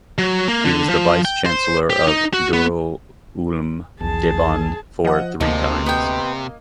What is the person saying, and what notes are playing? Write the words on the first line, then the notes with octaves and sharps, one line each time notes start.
He was the Vice Chancellor of Darul Uloom Deoband for three times.
F#3
A#3
D3
F3
G5
C5
G4
D#4
F#4
B3
B1 E2 G#4 A5
F3 D#5 F#5
D2 C3 F3 A#3 D#5
B3 G5